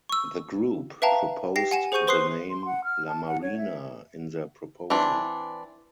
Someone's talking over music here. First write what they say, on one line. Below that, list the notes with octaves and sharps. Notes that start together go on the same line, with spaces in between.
The group proposed the name "La Marina" in their proposal.
C#6 E6
B4 E5 F5 G5 A5 A#5
G4 G5 A#6 C7
F#5 G#5 E7
G#4 C5 F#5 C#6 G6 D#7
B4 C5 C6 D#6 F#6 C7
C6
F#5
F6
A5
F#5
C#5
E5
E3 C4 D4